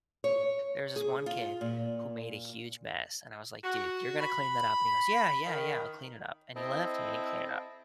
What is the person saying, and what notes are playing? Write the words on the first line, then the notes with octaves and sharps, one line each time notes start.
There was this one kid who made a huge mess, and I was like, "Dude, you're gonna clean that up?" And he goes "Yeah, yeah, yeah. I'll clean it up." And he left, and he didn't clean it up.
C#5
G#4
F4
A#2
F#4
B5
D#3
C4 E4 A4 D#5